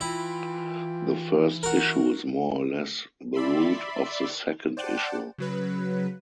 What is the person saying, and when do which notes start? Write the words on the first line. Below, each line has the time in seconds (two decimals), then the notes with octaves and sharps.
The first issue is more or less the root of the second issue.
0.01 E3 E4 F4 G5
1.63 F#4 A#4
3.34 D5 E5 B5 C6
4.77 C5 D5 F#5 G5 A5
5.38 C#3 F#3 B4